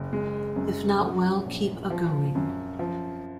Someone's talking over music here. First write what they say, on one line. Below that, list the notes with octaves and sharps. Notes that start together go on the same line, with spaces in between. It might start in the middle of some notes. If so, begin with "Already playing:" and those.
If not well, keep agoing.
Already playing: F#1
G#3
F#2
F#3
A#1
F3
F#2
F3